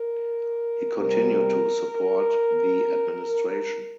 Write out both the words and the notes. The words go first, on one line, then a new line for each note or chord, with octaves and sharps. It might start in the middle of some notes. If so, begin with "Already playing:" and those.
He continued to support the administration.
Already playing: A#4
C3 G3 C4 A#4